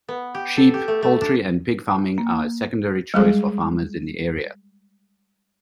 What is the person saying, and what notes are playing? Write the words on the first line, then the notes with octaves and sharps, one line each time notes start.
Sheep, poultry and pig farming are a secondary choice for farmers in the area.
B3
G4
A4
G4
A3
A3
D4
A#3
G3 G#3 G#4